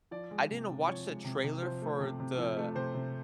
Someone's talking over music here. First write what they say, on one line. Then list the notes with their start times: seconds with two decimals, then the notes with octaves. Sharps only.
I didn't watch the trailer for the
0.11 F3 D5
0.31 G#3
0.50 C3
0.69 C3
0.87 F3 C#5
1.06 G#3
1.24 C3
1.44 C3
1.62 F3 C5
1.82 A3
2.00 C3
2.20 C3
2.38 F3
2.57 A3
2.75 C3 C5
2.94 C3